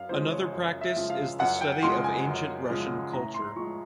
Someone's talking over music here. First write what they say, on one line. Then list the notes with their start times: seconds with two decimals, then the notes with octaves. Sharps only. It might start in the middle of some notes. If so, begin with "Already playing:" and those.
Another practice is the study of ancient Russian culture.
Already playing: F#2 F5
0.09 C#3 F3 G#3 C5
0.30 C#5
0.53 F#2
0.81 E5
0.96 C#3 F3 G#3
1.10 F5
1.39 F#2 F#5
1.61 G5
1.82 C#3 F3 G#3 C6
2.04 G#5
2.27 F#2
2.70 C#3 F3 G#3
3.13 A2 A#5
3.34 C6
3.56 F3 G#3 C#6